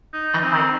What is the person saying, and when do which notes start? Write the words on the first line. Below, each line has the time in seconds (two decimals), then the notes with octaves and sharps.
I'm, like
0.13 D#4
0.43 C4